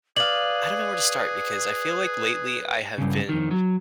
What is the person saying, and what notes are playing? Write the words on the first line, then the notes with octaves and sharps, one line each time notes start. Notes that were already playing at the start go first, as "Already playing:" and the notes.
I don't know where to start because I feel like lately, I have been
G#4 B4 D5 F5 F#7
G2 C#3
F2 D#3
F#3